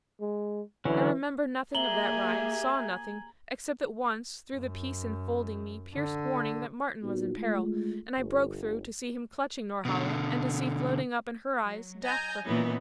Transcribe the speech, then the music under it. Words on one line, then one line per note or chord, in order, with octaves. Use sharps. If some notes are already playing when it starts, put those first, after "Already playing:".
I remember nothing of that ride, saw nothing--except that once through the peace enfolding me pierced warning that Martin was in peril, and I broke through to see him clutching Norhala and to see floating up in her eyes death for him.
G#3
D3 E3 F#3 C#4
A#3 G4 G#4 E5 G#5 A#5 F#7 G7
F#2
D3
A#2 B3 D#4 F4 F#4
G#3 A3 F4
G1
B2 D3
F#3
D#5 G#5 A#5 G6 A#6
A#2 E3 B3 C#4 D#4